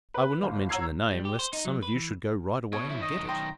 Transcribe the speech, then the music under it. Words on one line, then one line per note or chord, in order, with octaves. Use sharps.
I will not mention the name, lest some of you should go right away and get it.
B4
G1
C#5 F#5 A#5 E6 G#6 C7
G3
G4
C5
D#4
F#3
B4
E3
B2 C#5
F3 E4
D#3 D#5
B1 D#3
G5 A#5 C6 D#6